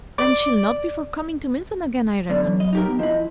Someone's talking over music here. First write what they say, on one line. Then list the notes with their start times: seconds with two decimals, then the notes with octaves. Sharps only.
'Then she'll not be for coming to Milton again, I reckon.'
0.18 D5
2.30 F#2 B2 D3 D5
2.46 F#3
2.60 D#5
2.73 D#4 G4 A#4
2.87 B3
2.99 F3 E4 D#5